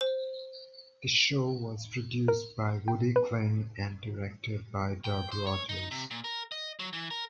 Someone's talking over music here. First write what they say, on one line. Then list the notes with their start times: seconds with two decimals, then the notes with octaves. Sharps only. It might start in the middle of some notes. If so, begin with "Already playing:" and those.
The show was produced by Woody Kling and directed by Doug Rogers.
0.01 C5
2.28 A#4
2.88 G5
3.16 B4
5.04 G5
5.32 C5
5.47 C#5
5.69 D#4
5.91 C3
6.11 A#2
6.24 A#4
6.52 D#5
6.79 F#3
6.93 E3
7.11 A#4